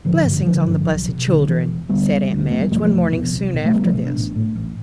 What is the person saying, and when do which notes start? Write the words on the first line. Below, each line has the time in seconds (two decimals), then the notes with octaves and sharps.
"Blessings on the blessed children!" said aunt Madge, one morning soon after this.
0.05 A1 D3 F3
0.25 G2 D3
0.46 A1 D3 F3
0.67 G2 D3
0.87 B1
1.08 B2
1.28 B1 D3
1.48 B2 E3
1.69 E1
1.89 D2 D3 G3 B3
2.10 E1
2.30 D2 D3
2.46 D4
2.50 F1 A3 C4
2.61 G3 B3
2.71 E2 B2 F3 A3
2.81 F3 A3
2.92 F1
3.12 E2 B2
3.33 C2
3.54 B2
3.65 A3
3.73 C2 G3 B3
3.84 F3 A3
3.94 B2 A3 C4
4.05 B3 D4
4.15 A1
4.35 A2
4.56 A1